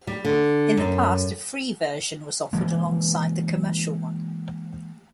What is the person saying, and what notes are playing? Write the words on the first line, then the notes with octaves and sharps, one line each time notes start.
In the past a free version was offered alongside the commercial one.
G3
D3
F#2
E3 G#3 A#3